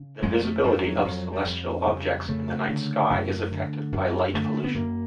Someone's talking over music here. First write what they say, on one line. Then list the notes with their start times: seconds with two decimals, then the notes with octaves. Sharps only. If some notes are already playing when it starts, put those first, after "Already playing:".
The visibility of celestial objects in the night sky is affected by light pollution.
Already playing: C#3
0.23 F2 G#3
0.43 A3
0.64 F2 G3
0.85 F#3
1.04 F2 F#3
1.33 G3
1.45 F2
1.86 C#3 G3
2.28 C#3 A3
2.69 D3
3.10 F#2
3.51 D3
3.92 F#2
4.34 D3 A3
4.64 B3
4.74 F#2 A#3